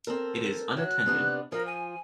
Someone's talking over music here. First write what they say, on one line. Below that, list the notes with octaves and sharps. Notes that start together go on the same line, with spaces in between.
It is unattended.
C4 A4 A#4
F#3 F#6
C3 B3 D4
F3 A#4
G#5